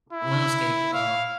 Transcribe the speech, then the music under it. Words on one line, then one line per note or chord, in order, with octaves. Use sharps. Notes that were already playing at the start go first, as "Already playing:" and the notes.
RuneScape, um
E4
F5